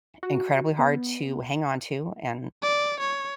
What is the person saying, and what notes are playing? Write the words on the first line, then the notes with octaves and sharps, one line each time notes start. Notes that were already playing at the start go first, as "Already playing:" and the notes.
incredibly hard to hang on to, and
F#4
B3
D5
C#5